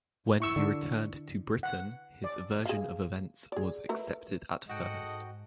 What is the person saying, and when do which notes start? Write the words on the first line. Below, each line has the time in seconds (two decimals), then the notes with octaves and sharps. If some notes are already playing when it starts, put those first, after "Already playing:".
When he returned to Britain his version of events was accepted at first.
0.40 E4 C#6 E6
0.56 D3
1.63 F#5
2.24 D5
2.65 G#4 F5
3.52 G#4 D5
3.89 A3 A#4 B4
4.69 G#2 F#4 A4 D#5 F#5 G5